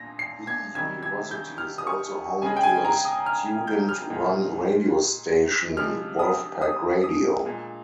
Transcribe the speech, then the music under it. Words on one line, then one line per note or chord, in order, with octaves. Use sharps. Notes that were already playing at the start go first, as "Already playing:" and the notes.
The university is also home to a student-run radio station, Wolf Pack Radio.
Already playing: A#2 A#6
C7
G#6
C3 D#3 G3 G#6
G#6
G6
F6
D#6
C#6
C#3 G#3 G#5
G5
G#5
A#5
D#6
F6
G6
F6
A#2 G#3
C3 F3 G#3 F6
D#6
D#6
D#6
A#2 G#3